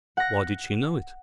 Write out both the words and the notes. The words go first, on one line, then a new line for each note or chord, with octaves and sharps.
Why did she know it?
F#5 A#6